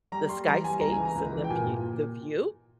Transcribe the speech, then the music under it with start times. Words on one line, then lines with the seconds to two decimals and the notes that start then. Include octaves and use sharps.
the skyscapes and the fe the view.
0.12 G3 A#5
0.29 G3 C6
0.47 E3 A#5
0.64 G3 G#5
0.80 C#2 A#5
0.93 G#5
0.98 E3
1.05 A#5
1.15 C#2
1.32 E3
1.44 G5
1.50 A#2 G#5
1.66 A#2